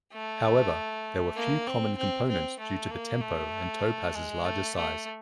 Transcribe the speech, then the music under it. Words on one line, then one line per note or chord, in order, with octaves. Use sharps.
However, there were few common components due to the Tempo and Topaz's larger size.
A3
A#3
C4
C4
C4
A3
A#3
A3
G#3
A3
A3